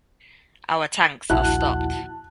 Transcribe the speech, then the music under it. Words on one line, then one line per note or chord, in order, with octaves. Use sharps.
Our tanks are stopped.
A#1 D#2 E4 F#4 F#5 A5 F#6